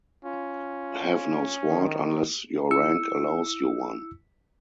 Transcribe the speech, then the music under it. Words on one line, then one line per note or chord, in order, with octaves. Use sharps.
Have no sword unless your rank allows you one.
C#4 F4
D#3
E4 E6 C#7